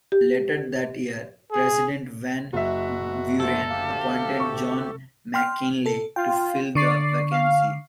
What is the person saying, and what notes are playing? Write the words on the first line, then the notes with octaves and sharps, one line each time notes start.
Later that year, President Van Buren appointed John McKinley to fill the vacancy.
G4
G#4
F#1 F#4 E5
D3 F3 A3 A4
D2 G4 F5
C#6
G5 C6 F6
A4
F4 G5
D3 D5 C#6 C7
F5